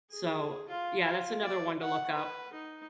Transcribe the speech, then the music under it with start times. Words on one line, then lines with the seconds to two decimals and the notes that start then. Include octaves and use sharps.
So, yeah, that's another one to look up.
0.11 G#4
0.68 F4
1.01 F4
1.44 D5
1.81 F#5
2.13 B4
2.53 D#4